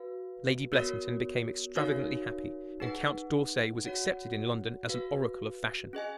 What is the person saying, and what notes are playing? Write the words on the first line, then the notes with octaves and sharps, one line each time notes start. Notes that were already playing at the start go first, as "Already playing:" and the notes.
Lady Blessington became extravagantly happy, and Count d'Orsay was accepted in London as an oracle of fashion.
Already playing: F#4 B4 F5
B3 F#4 A#4 C#5
D#4 F#4 A#4 C#5 F5
D#4 G#4 B4 F#5
F#4 C#5 F#5
F#4 B4 F5
C#4 G#4 D#5 G#5